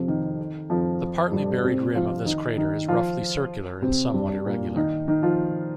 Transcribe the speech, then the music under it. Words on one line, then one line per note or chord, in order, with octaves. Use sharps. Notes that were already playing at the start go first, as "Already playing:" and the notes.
The partly buried rim of this crater is roughly circular and somewhat irregular.
Already playing: F2 C3 F3
D#3
F2 F3
G2 G3
C3 C4
F3 F4
D#3 D#4
D#3 D#4
F3 F4
C3 C4
G2 G3
A#2 A#3
D#3 D#4
D#3 D#4
F3 F4